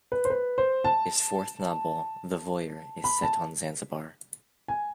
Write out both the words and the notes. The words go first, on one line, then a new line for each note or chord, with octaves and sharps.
His fourth novel, "The Voyeur" is set on Zanzibar.
B4
C5
B4
C5
A5
B5
A5
G#5